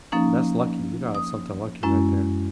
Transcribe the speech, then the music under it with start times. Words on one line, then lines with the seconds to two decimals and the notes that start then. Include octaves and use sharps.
tha that's lucky. You got something lucky right there.
0.12 F3 A#3 C#4 D#4
1.15 D#6
1.83 F#2 G#3 C#4 E4